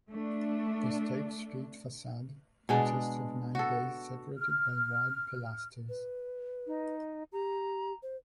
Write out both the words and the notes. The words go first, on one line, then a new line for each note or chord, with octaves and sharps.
The State Street facade consists of nine bays separated by wide pilasters.
A3 D4
B2 G#3 D4
F#4 A4
F6
B4
D#4
G4 A#5
C5